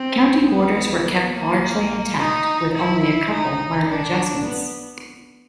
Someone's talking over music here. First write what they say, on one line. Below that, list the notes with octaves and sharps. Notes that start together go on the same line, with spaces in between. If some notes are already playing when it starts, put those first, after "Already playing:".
County borders were kept largely intact, with only a couple minor adjustments.
Already playing: C4
B3
B3
A#3
D#4
E4
D#4
D4
B3